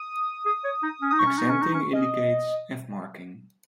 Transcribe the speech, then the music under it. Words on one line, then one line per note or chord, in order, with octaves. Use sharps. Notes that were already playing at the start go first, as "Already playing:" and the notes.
Accenting indicates F-marking.
Already playing: D#6
G#4
C#5
D#4
C#4
D#4 D#6
C#6
C#4
D#4
C#4
D#4
C#4
C#4 D#5